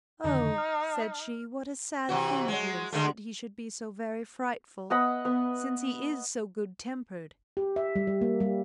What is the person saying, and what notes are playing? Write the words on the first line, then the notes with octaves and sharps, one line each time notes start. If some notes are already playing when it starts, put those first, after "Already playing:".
"Oh!" said she, "what a sad thing it is that he should be so very frightful, since he is so good-tempered!"
F2 D3 D#3 D#4
F6
C3 E3 F#4
F#3 G#3
D3 G#3 A3
B3 D#5 F#5 B5
B3
G4
E5
G3
G3
A#3
G3